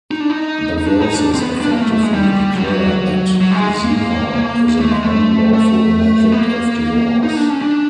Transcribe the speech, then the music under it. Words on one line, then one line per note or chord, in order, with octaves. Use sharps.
The verses effectively declare that "zihar" is an unlawful method of divorce.
D#4
D4
D#4
D#4
D4
D#4
D4
C4
B3
D4
A#3
A3
A3
G#3
G3
F#3
G3
F#3
F#3
G3
G#3
G#3
A#3
A#3
A3
G#3
A3
A3
B3
A#3
D#4
D4
C#4
D4